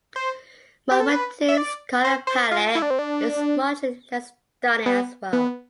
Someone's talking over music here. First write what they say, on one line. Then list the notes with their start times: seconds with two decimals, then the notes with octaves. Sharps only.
Malfatti's color palette is much less stunning as well.
0.16 C5
0.91 G4
1.00 A4
1.09 B4
1.49 E5
1.57 D5
2.05 C5
2.27 C5
2.51 F4
2.75 E4
2.82 D4
2.90 C4
2.99 D4
4.86 B3
5.33 B3